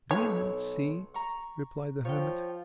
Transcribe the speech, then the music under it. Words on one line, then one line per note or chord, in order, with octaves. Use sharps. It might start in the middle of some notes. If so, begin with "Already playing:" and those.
"Do you not see," replied the hermit.
B1 C#5
A#5 C#6
F3 C#5 G5